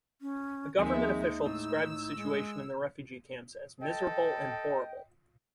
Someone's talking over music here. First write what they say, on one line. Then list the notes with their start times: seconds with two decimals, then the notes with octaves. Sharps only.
A government official described the situation in the refugee camps as "miserable and horrible".
0.21 C#4
0.79 D#2 F3 G#3 C4 D#4 E5 G#5
1.46 A2 E6
2.16 G#3
3.81 A4 D#5 G5